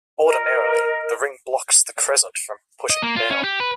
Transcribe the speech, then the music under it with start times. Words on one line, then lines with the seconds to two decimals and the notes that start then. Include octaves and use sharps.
Ordinarily, the ring blocks the crescent from pushing down.
0.24 A#4 D#5
2.90 D#5
3.02 A#3
3.16 F4
3.31 C#4
3.44 G4
3.60 B4